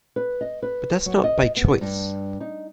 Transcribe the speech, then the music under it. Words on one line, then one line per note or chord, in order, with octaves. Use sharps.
But that’s not by choice.
B4
D#5
B4
F#3
D#5
B3
G2
D#4